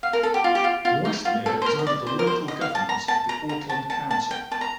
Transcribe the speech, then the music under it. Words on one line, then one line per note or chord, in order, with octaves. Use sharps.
Westmere is under the local governance of the Auckland Council.
F5
A#4
A4
G4
F4
G4
F4
F4
D#4
F4
A4
C5
A#4
D#5
D5
C5
A#4
C5
D#5
F5
A5
A#5
A5
A#5
A#5
A5
A5
A5
G5
A5
A#5